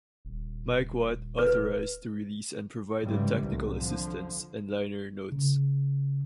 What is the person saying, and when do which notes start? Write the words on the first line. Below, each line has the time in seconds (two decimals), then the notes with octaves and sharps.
Mike Watt authorized the release and provided technical assistance and liner notes.
0.25 D#1
1.39 B4
3.00 G#2 C#3 E3 G3 G#3
3.40 C2 A2
3.76 D3 F3
5.32 C#3